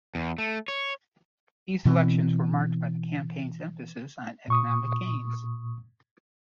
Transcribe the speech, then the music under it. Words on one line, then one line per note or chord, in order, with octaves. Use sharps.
These elections were marked by the campaign's emphasis on economic gains.
E2
A3
C#5
B2 E3 C4
A#2 C#6 D#6